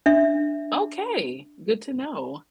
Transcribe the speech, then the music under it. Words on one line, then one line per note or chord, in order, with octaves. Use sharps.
Okay. Good to know.
D4 E5